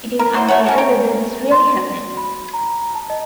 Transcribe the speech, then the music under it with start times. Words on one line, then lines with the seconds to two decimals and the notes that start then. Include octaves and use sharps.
It is unclear whether this really happened.
0.19 A#4
0.34 E3 F#3 C6
0.48 F#3 A3 C#5 F#5
0.64 C#4 F#4 G4
0.78 C#5 G5 A#5
1.51 C6
1.76 F#4
2.17 B5
2.53 A#5
2.95 A5
3.10 D#5